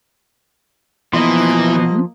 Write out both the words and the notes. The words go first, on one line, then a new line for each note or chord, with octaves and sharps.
Yeah. Mhm.
B2 E3 F3 A#3 B3 D#5 C6